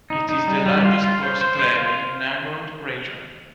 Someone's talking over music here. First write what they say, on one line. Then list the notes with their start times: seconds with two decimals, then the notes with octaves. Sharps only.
It is the largest sports club in the Nagold region.
0.10 D#4
0.29 D#4
0.47 G3
0.66 G3
0.85 F4
1.04 F4
1.23 C5
1.41 C5
1.59 C5
1.78 F4